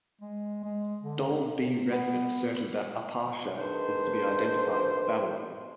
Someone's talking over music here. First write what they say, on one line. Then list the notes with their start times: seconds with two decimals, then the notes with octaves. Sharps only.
Donald B. Redford asserted that Arpachshad is to be identified with Babylon.
0.21 G#3
0.64 G#3
1.03 D3
1.51 C3
1.90 B3
3.58 D#3 G#3 D4 B4 C5